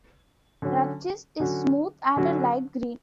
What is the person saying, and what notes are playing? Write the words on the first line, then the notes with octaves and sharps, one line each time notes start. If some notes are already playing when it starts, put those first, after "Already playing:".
Rachis is smooth and light green.
D3 F#3 C#4 F#4
D3 F#3 C#4 F#4
D3 F#3 C#4 F#4